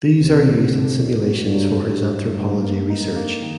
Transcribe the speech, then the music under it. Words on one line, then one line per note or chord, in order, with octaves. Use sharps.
These are used in simulations for his anthropology research.
D2 C3
D3
D3
A2 F#3
F#4
G2
F#3
G2 A3
A3
D#4
A#3
D#4
A#3
D#3